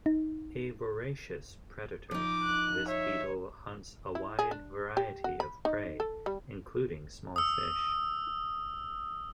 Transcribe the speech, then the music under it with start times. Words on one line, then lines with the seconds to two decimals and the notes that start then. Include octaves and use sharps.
A voracious predator, this beetle hunts a wide variety of prey including small fish.
0.06 D#4
2.11 F3 D#4 D6
2.44 F#6
2.88 C#5 E5
4.15 E4
4.39 G#4
4.51 D4
4.97 G4
5.24 F#4
5.40 B5
5.65 D#4
6.00 A4
6.26 G3
7.36 D#6 E6